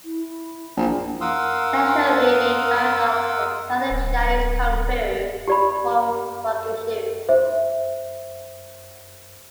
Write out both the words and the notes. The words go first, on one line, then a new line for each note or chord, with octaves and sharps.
Tensho may be a variant of the Southern Chinese Kung Fu form Rokkishu.
E4
A#1
A#4 F5 F#5 C6 D#6 E6
D1
G4 D5 B5
C5 E5